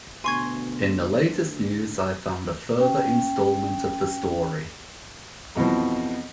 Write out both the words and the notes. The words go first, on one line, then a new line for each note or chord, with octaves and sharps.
In the latest news I found a further instalment of the story.
D2 B2 G#5 C6 C#6 G#6
C#4 G5
F2 B2 E3 F3